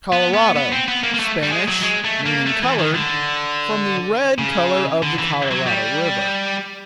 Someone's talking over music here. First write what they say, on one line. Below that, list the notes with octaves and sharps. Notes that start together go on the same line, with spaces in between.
Colorado--Spanish; meaning "colored," from the red color of the Colorado river.
B3
B3
B3
C4
B3
A#3
A#3
A3
G3
G#3
F#3
G#3
A3
A#3
A3
E3
D#3
D3
C#3
D3
E3
F#3
G3